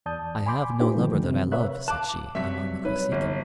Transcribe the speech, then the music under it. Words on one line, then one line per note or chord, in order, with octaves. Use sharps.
"I have no lover that I love," said she, "among the Kosekin."
E2 D5 A5 D#6 G6
G#5 B5 C6 D6 G6
D4 D#4 F4 G4 B4 C5
G#2 D3 D#3 F3 A3
C3
A#4 B4 C#5 E5 F5 F#6
F5 A5 D6 F#6
G2 C3 F#3 E5 B6
D#4 B4 C#5
G1